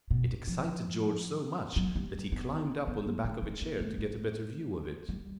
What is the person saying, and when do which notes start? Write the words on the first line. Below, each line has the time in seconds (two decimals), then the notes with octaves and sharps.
It excited George so much that he climbed up on the back of a chair to get a better view of it.
0.11 B2
0.47 F3
1.76 F#3
1.96 G3
2.32 B3
2.87 B3
3.06 A#3
3.24 A3
3.43 G#3
3.61 A#3
3.80 A3
3.98 A3
5.09 G3